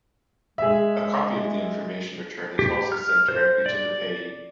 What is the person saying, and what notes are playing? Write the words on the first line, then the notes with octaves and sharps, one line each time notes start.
A copy of the information return is also sent directly to the payee.
G#3 G#4 E5
G4
F6
C5
D5